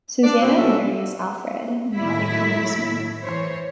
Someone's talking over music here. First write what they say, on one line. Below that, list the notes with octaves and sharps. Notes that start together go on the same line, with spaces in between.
Susannah marries Alfred, now a congressman.
D4 D5
B2 C4
B2 F#3 C#4 A4 E5
A2 D#3 F#3 A3 E4 E5
E3 C5 C#5